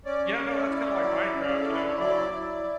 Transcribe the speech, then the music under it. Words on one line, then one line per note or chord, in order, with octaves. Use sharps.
Yeah, no, that's kinda like Minecraft, you know, um
C#4 D5
C#5
C#4
D5
E4
F#3
C#4
G#4
A4
E4
B4
C#5
F#3 D5
E4